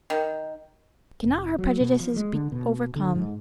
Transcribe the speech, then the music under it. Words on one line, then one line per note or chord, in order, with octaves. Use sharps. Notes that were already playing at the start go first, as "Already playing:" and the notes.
"Cannot her prejudices be overcome?"
D#3
F1
F#3
B2
F3
G#3
D3
B2
D3
G#2